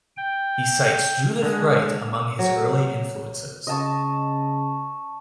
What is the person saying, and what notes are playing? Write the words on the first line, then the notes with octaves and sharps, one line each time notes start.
He cites Judith Wright among his early influences.
G5
D3 G#3
F#3
C#3 D#5 A5 C#6